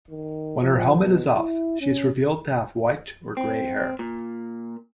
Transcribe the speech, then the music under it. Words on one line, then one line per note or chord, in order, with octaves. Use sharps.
When her helmet is off, she is revealed to have white or grey hair.
D#3
F3
B2
E4
C#4
C4
A#2